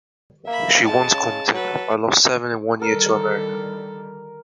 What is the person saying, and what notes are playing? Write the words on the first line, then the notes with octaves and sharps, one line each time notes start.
She once commented, I lost seven in one year to America.
A#3 E5 B5
F2 G#3 A5
C#3
F#3 A4 B4
D3 D#3 G3 A4 A#4